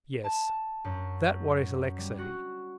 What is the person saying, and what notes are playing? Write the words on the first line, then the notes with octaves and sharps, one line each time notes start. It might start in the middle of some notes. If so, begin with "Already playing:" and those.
Yes? That worries Alexey.
A5
F#2
G3
F#4